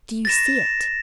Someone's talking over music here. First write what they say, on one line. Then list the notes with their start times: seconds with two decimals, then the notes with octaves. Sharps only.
"Do you see it?"
0.25 A6 A#6 E7